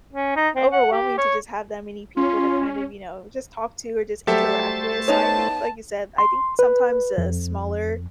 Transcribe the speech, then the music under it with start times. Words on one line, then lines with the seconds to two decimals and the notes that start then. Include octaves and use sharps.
overwhelming to just have that many people to kind of, you know, just talk to or just interact with. So, I think like you said, I think sometimes a smaller,
0.13 C#4
0.36 D#4
0.55 C4
0.72 F#5
0.92 G4
1.18 C#5
2.17 C#4 F4
4.27 F#3 G3 A3 G4 A4 C5 E5 A6
5.08 B3 D#4 C#5 A5
6.18 C6
6.59 B4
7.18 F2